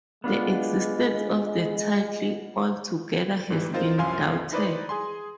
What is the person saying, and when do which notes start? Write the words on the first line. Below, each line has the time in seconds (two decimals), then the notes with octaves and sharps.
The existence of the title altogether has been doubted.
0.24 G#3 B3 D4 F4
3.50 G#2 E3 G3
3.73 C4 D#4 F4 A#4 C5
3.98 C2 F#2 F3 F5 G#5 C6
4.52 D#4 E4 B4 C5 D5 D#5
4.89 G#4 G#5 C6